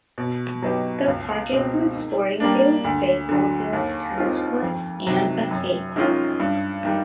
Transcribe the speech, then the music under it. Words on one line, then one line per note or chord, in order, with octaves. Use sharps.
The park includes sporting fields, baseball fields, tennis courts and a skate park.
B2
F#3 B3 D#4 G4
C#2
B2 G#3 C4
D#3
G3 A#3 D4
D2
D3 F#3
D#2
D#3 G#3 C4 F4
F2
C3 D#3 F#3
F#2
D#3 G#3 C#4 F4
G2
D#3 G3